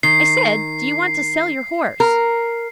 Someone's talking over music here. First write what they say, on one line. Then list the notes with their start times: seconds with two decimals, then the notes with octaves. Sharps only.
"I said, do you want to sell your horse?"
0.03 D#3 C7
2.00 A#4